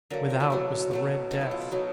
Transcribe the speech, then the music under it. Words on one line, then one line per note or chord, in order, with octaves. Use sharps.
Without was the "Red Death."
D3 F#3 A#3 A#4
F4
E4
B2 F#3 A3
B2 F#3 A3
B2 F#3 A3 D#4
E4
F4
E4
B2 F#3 A3 D#4